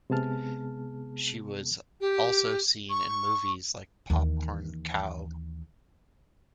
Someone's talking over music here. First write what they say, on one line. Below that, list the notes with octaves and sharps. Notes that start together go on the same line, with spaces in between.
She was also seen in movies like Popcorn Khao!
C3 G#3 B3 G#4 A5 F6
G4
C#6
D#2 E3